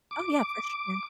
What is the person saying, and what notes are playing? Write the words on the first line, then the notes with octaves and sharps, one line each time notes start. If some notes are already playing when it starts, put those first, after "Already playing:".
Oh, yeah, for sure.
D6